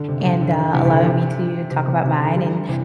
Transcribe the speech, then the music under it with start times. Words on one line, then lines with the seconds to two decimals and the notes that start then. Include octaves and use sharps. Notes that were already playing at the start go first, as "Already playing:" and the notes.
and, uh, allowing me to talk about mine, and,
Already playing: D3
0.08 C3
0.20 D3
0.25 C3
0.41 D3
0.74 C3 E3
0.85 C3
0.90 D3
1.06 C3
1.71 C3
1.87 C3
2.04 C3
2.20 D3
2.36 D3 G3
2.69 C3 E3